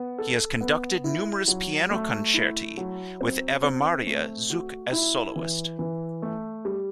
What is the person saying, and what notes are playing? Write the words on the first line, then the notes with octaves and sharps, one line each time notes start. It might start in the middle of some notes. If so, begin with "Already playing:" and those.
He has conducted numerous piano concerti with Eva Maria Zuk as soloist.
Already playing: B3
A4
B3
E4
F#3
A3
E4
F#3
C4
C4
A3
F#4
E4
E3
E3
A3
G3